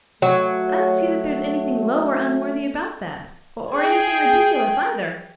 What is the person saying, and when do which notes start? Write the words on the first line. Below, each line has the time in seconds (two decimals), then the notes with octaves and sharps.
I don't see that there's anything low or unworthy about that, or anything ridiculous either.
0.22 F#3 A3
3.74 G#4 G5